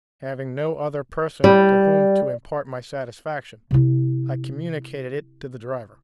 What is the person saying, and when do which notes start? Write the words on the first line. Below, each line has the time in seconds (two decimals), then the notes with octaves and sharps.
Having no other person to whom to impart my satisfaction, I communicated it to the driver.
1.44 G3
3.71 C3 E4